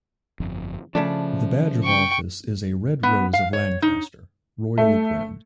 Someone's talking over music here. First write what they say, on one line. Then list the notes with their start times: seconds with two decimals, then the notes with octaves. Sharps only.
The badge of office is a red rose of Lancaster, royally crowned.
0.40 G1 F2
0.95 C#3 F3 A3 D4
1.84 G5 C#6
3.03 B3
3.33 F5
3.53 C#5
3.82 D#4
4.78 A3